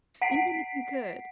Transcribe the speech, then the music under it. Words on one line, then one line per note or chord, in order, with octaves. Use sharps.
Even if you could,
F#5 B6 C7 D7